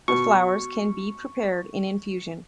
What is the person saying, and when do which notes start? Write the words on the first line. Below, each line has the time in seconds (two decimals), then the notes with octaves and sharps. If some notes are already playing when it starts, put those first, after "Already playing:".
The flowers can be prepared in infusion.
0.08 B2 C#6